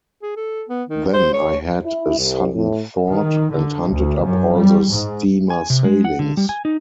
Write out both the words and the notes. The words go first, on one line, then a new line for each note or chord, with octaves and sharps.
Then I had a sudden thought, and hunted up all the steamer sailings.
G#4
A4
B3
D#3
C5
C#5
E4
C2
A2
D#3
D3
D2
F#2
G3
G#2
G#5
C3
G#3
F#5
D3
G3
G#5
D#4